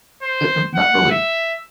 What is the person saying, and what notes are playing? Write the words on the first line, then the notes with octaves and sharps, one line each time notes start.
eh eh not really
C5
F#5
E5